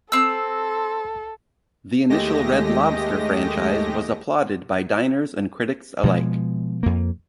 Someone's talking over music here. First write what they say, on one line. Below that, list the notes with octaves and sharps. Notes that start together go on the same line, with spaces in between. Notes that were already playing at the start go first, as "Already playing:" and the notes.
The initial Red Lobster franchise was applauded by diners and critics alike.
C4 A4 E6
D#2 G#3 A3 G4 D#5 A#6
B2 F3 G#3
F2 A#3